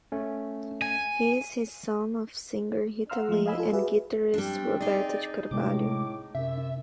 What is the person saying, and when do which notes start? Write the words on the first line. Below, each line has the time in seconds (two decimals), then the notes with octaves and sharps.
He is he son of singer Rita Lee and guitarist Roberto de Carvalho.
0.12 A3 C#4
0.82 G#5
3.10 F5 F#5 A#5 C6 E6 F6
3.29 F3 A3
3.46 D#5 F5 G#5 B5 E6
3.58 F4 A4
3.73 F#4 G#4 B4 D5 E5
4.34 G3 C4 D4
4.80 D#4 G#4 D5
5.51 A2 C3 G#3 A3 D6
6.35 F#2 C3 E5